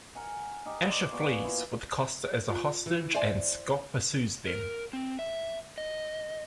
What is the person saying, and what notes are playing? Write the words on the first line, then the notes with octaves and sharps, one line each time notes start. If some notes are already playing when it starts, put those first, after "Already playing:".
Asher flees with Costa as a hostage and Scott pursues them.
A#4 F#5 G#5
D#4 G4
C5 D5
A#3 B3 F#4 G#4
E4 F4
F4
E3
C5 D5 E5 G#5
A#4
C4
E5
D#5